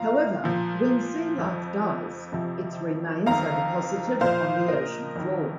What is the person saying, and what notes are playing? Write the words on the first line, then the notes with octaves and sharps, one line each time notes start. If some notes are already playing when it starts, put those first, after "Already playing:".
However, when sea life dies, its remains are deposited on the ocean floor.
Already playing: A#2 F3 F5 A#5
A#2 F3
F2 F3
F2 C3 F3
F2 D#3 F5 A#5
A#2 F3 C5 F5
A#4 D#5
F2 D#3